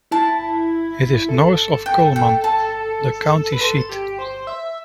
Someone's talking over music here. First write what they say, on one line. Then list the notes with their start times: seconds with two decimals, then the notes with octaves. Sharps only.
It is north of Cullman, the county seat.
0.11 E4 A5
1.29 A4
1.86 G5
2.16 G5
2.44 A5
3.52 B4
3.61 A4 C6
3.89 G4
4.19 C5
4.47 E5